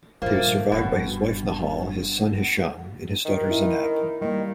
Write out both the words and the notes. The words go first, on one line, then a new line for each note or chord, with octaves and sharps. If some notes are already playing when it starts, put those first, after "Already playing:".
He was survived by his wife, Nehal, his son, Hisham and his daughter, Zeinab.
A#1 G2 A#2 D#3 F3 A3 A#3
F#1 G2 B2
D#3
C#4 E4 E5
A#4
D#3 G3 A#3